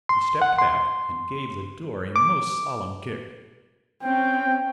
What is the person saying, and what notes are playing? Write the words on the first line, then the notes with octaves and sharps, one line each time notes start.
He stepped back and gave the door a most solemn kick.
C6
F#5
C6
D6
C4 C#4 G5